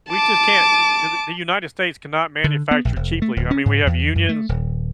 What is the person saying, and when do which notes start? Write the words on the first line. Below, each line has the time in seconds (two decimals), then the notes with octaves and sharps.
we just can't the the United States cannot manufacture cheaply. I mean, we have unions,
0.10 A5 D6
2.44 D3
2.71 B3
2.85 A#1
2.96 F1
3.22 A3
3.36 D1
3.51 C#4
3.66 G#2
3.87 E2
4.15 F#2
4.29 A3
4.49 D#1